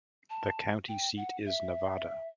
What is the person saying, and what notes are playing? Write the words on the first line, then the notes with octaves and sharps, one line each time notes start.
The county seat is Nevada.
A5
G5
F#5
E5